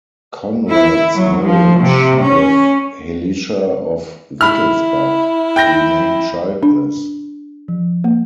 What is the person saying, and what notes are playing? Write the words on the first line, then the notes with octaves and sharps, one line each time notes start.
Conrad's marriage with Hellicha of Wittelsbach remained childless.
E4
F#3
F3
C3
C#4
E4 B5 F6
G5 G6 A#6
D4
F3
A#3